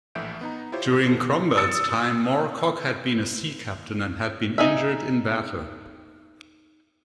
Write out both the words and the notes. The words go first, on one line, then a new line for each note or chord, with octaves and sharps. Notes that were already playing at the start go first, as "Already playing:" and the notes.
During Cromwell's time Morecock had been a sea-captain and had been injured in battle.
A#1 A2 E3 E5 G6 D7
B3 D#4 A#5
E4 F4 G4 C5 C#5
E3 B3 A4 C5
D#6 E6 A6 C#7
D#4 G#4 E5